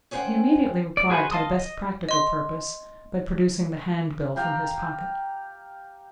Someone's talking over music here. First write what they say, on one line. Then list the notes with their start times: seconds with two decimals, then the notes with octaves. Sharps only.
He immediately replied, to the best practical purpose, by producing the handbill from his pocket.
0.11 C#4 G#4 C5 E5 F#5 G5
0.97 D5
1.10 F#4 G#4 B4 C5 F#5
1.31 D#5 F5 A5 C6 D#6
1.58 D#5
2.09 D#5 C6
4.36 G4 F5 G5 A#5